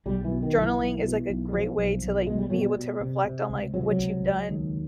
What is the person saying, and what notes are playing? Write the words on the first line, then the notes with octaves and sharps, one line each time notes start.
journaling is, like, a great way to, like, be able to reflect on, like, what you've done
B1 G3
E3
B2
D#3
B1
E3
B1
B2
B1
B2 F3
B1
B1
B2 G#3
G3
B2 F#3
G3
B2
C3
C3
C#2
C3 F#3
F3
F#3
C#2
C#2
D#2